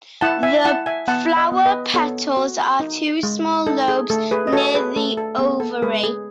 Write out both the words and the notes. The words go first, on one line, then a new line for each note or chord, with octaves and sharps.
The flower petals are two small lobes near the ovary.
E4 F#5 A5
E5 G#5
E4 F#5 A5
E5 G#5
B3 F#5 A5
D#5 F#5
B3
B4 D#5
B3 A4 C#5
F#4
D#4
G#3
D#4 A4
G#4
A3 A4
G#4 B4
D#5
F#4 A4 C#5
G#4 B4
A3 A4
A4
B3 G#4
A4
G#3 G#4 B4
G#4